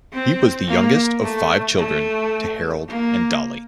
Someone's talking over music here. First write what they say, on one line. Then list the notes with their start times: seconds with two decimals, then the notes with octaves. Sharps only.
He was the youngest of five children to Harold and Dolly.
0.13 C4
0.67 A#3
1.23 A3
1.78 A3
2.88 A#3